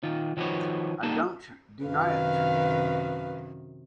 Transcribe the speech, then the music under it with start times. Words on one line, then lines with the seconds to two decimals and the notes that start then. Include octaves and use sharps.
I don’t deny it.
0.03 D#3 F4
0.37 D#3 F3 F#4 B4 C#5
1.03 G3 A#3 D#4 A4 A5
1.86 F#2 C3 D#3 B4 F5